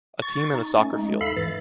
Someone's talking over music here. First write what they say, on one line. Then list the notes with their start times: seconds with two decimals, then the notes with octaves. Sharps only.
A team in a soccer field.
0.22 C#6 A6
0.54 D#4
0.78 A3 C#4
0.93 G#3 D#4
1.21 D#2 A4 E5 F5 B5
1.37 G#2 E3 A6